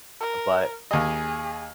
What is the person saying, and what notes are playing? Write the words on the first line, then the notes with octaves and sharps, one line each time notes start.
Uh, but,
A#4
D#2 G#4 D#5